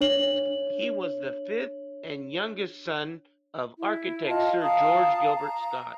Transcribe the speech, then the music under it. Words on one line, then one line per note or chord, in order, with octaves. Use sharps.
He was the fifth and youngest son of architect Sir George Gilbert Scott.
D4 C#5 F#7
E4
F4 D#5 A5
F5 A5 A#5 D#6
A#5